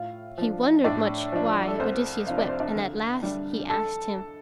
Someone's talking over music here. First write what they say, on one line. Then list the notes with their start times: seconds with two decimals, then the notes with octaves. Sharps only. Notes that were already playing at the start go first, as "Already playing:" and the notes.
He wondered much why Odysseus wept, and at last he asked him.
Already playing: A2 F4 F5
0.38 F3 D4
0.84 A2 D4 D5
1.32 F3 D4
1.68 A4
1.80 C2 C5
2.26 C3 F3 D4 F5
2.38 D5
2.48 C5
2.60 D4 D5
2.75 D2
3.22 D3 G3 D4
3.69 A4 A5